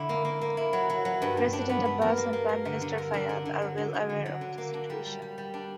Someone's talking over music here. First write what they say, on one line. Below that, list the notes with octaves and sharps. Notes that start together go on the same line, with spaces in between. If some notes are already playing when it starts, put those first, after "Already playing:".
President Abbas and Prime Minister Fayyad are well aware of the situation.
Already playing: D3 E4
A#3
A#3
A#3
E4
F#3
F#3
F#3
G2
G2
D4
B3
B3
A#4
A#3
A#3
A#4
D3
D3
A#4
D4
D3
D3
F#3
D3
D3
D3
F#3
D3
A#3
D4
G3
G3
G3
G3
D4